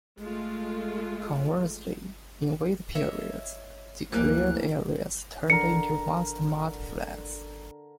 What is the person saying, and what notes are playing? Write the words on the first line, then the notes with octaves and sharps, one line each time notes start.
Conversely, in wet periods, the cleared areas turned into vast mud flats.
G#3 A3 F4
C#5 D#5 E5
D2 E3 F3 G3 A#3 F#6
D3 A#4 C#7